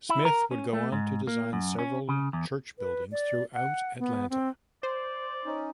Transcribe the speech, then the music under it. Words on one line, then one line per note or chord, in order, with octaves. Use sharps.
Smith would go on to design several church buildings throughout Atlanta.
E4
A#4
C#4
A3
G#2
A#3
F#2
C#4
C#3
E2
B4
D5
F#5
B3
C4
C5 D5
C#4 D#4